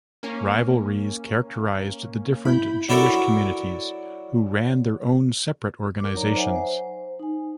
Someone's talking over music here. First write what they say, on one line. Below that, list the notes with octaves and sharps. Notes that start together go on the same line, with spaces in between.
Rivalries characterized the different Jewish communities, who ran their own separate organizations.
A#3 C#4
E4 B5 G6
F#3 D4 E4 F#4 A4 A#4
A#4 D6
F#3 D#4 C#5 D5 A#5
C5 E5 F#5 G#5
C5
D#4 G#5